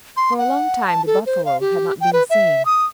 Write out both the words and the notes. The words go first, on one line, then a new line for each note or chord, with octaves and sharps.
For a long time the buffalo had not been seen.
C6
F#5
A5
A4
C5
F5
G4
G5
B4
E5
D#6